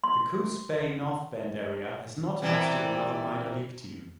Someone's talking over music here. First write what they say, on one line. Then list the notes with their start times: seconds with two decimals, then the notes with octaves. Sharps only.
The Coos Bay–North Bend area has not hosted another minor league team.
0.04 C6
2.42 C3 E3 G3